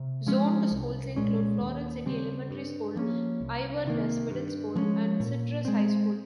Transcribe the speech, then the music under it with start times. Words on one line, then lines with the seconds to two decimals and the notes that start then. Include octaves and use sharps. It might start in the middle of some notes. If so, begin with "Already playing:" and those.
Zoned schools include Floral City Elementary School, Inverness Middle School, and Citrus High School.
Already playing: C3
0.27 F3 G#3 C#4
0.71 C2
1.16 A#2 G#3 C#4
1.61 D#2
2.06 C#3 G3 C4
2.51 G2
2.96 F3 A#3 C#4
3.41 C2
3.85 C3 D#3 A#3
4.30 G2
4.75 F3 G#3 C#4
5.20 A#2
5.65 G#3 C4